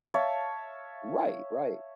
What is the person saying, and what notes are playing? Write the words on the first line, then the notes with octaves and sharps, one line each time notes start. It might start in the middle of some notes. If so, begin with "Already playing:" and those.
Right, right.
C#5 E5 F5 A5